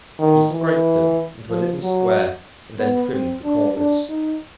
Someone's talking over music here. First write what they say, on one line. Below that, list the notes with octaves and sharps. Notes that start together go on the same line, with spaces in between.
He scraped them into a little square, and then trimmed the corners.
D#3
E3
F3
F#3
B3
C4
D4
D4
D#4